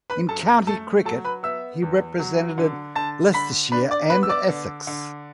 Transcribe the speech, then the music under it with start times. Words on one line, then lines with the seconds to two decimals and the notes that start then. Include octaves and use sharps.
In county cricket he represented Leicestershire and Essex.
0.10 B4 B5
0.29 F#2 A4 A5
0.67 A3 A4 A5
1.05 F#3 A4 A5
1.24 B4 B5
1.43 B3 E5 E6
1.82 E2
2.19 F#3
2.58 D3
2.96 D3 A5 A6
3.34 D3 B5 B6
3.72 D4 B4 B5
3.91 D5 D6
4.10 B3 B4 B5
4.23 E6
4.29 D5 D6
4.49 D3
4.87 D3